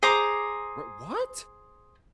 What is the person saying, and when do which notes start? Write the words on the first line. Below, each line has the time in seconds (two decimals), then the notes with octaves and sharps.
We what?
0.03 G#4 C5 A#5 D6